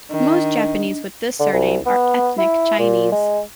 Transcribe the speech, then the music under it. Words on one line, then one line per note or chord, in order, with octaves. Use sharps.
Most Japanese with this surname are ethnic Chinese.
D#3 D4
D3
C2
B3
E4
A#2
G#3